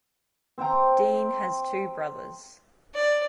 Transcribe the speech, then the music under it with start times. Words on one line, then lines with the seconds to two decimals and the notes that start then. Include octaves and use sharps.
Dean has two brothers.
0.58 C4 C5 G5 A#5
2.94 D5